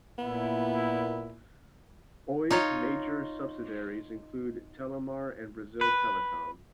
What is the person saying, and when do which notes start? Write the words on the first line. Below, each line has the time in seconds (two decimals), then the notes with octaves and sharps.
Oi's major subsidiaries include Telemar and Brazil Telecom.
0.18 A#2 B3 E4
2.51 D#4 F4 C#5 D#5
5.81 B4